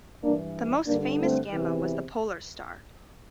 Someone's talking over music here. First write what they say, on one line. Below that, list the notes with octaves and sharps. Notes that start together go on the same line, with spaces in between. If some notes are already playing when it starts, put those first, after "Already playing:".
The most famous Gamma was the "Polar Star".
G2 E3 A#3 D4
G2 D3 A#3 D4
A3 C4
E2 C3 E3